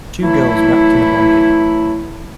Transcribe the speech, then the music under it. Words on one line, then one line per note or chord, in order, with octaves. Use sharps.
Two girls wrapped in a blanket.
E3 F#3 A3 E4